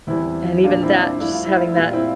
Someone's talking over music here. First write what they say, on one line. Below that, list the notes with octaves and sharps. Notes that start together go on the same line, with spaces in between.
and even that, just having that,
E2 E3 G3 C4 E4
A#2 G3 D4 F4
C4 E4
D4
G2 F3 A3 E4
F4
E4
F4
E4
A#2 G3 F4
C4 E4